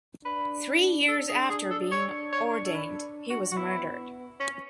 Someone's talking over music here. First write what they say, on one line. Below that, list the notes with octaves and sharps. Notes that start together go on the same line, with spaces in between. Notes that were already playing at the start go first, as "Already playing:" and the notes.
Three years after being ordained, he was murdered.
D4 B4
D4 A4
G#4
G#4
A4
D4 C#5
C#5
A4
B4
F#4
F#4
B3 E4
C#4